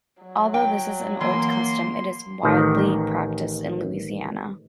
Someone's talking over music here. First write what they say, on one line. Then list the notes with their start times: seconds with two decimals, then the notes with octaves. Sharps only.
Although this is an old custom, it is still widely practiced in Louisiana.
0.22 F#3
0.54 G5
1.21 E3 A#3 C6
2.43 A1 D#3